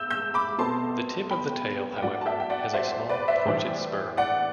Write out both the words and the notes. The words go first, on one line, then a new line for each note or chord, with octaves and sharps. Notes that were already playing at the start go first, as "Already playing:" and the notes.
The tip of the tail, however, has a small, pointed spur.
Already playing: E6 G6
E6 G6
B5 D6
B2 A3 C4 A5 C6
G5 B5
G5
A2 F#3 A3 D4 D5 F#5
A5
E5 G5
G5
D5 F#5
C5 E5
C5
B4 D5
C5 E5
A2 E3 G3 D4
D5 F#5